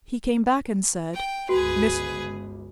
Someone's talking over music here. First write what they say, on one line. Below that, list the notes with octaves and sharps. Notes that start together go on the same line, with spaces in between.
He came back and said, 'Mr.
G5
G1 C#2 F#4 G#4 B4